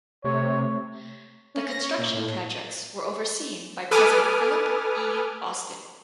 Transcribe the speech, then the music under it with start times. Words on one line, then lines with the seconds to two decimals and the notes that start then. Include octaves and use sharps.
The construction projects were overseen by President Philip E. Austin.
0.24 C3 A3 C#5
1.55 C#4
1.67 A#6
1.81 C#5
1.98 A#2
2.13 A2
3.91 A4 B4 G#5 D6 D#6 F6